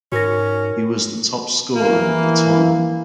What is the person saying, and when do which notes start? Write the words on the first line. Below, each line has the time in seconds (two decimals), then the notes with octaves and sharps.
He was the top scorer of the tournament.
0.12 G#2 C#4 F#4 A#4 A#6
1.76 E3 A#3